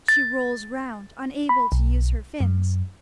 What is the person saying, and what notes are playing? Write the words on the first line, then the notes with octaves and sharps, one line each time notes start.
She rolls round, unable to use her fins.
A6
B5
B1
F#2